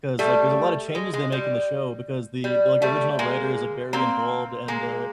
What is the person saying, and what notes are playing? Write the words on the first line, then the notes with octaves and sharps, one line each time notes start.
'cause, like, there's a lot of changes they make in the show because the the, like, original writer is, like, very involved and, uh,
G3 A3
G#3
G#3
G3
G3
G3 A3
G#3 A#3
A#3 C4
G#3 A#3